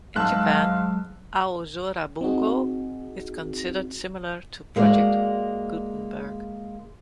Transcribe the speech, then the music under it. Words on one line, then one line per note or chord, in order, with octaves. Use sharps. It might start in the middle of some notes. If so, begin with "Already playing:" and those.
In Japan, "Aozora Bunko" is considered similar to Project Gutenberg.
G#2 F#3 G#3 F5 A5 E6 F#6
C4 D#4 F#4 G#4
G#3 A#3 B3 F#4 D5 E5